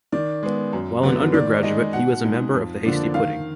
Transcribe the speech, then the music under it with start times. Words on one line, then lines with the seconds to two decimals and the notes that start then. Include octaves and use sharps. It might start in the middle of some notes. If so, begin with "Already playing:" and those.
While an undergraduate, he was a member of the Hasty Pudding.
0.12 D#3 D5
0.43 G#3 B3
0.73 F#2
1.03 D3 F#3 B3
1.34 D#3 D5
1.63 G#3 D#4 D#5
1.93 B2 F#5
2.24 G#3 D#4
2.54 F2
2.85 D3 F3 A#3 D4
3.14 D#3 F5